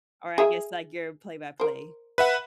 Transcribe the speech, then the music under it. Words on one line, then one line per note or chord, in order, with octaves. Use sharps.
Or I guess like your play-by-play.
G#4 E5
A#4 C5
B4 E5 F#5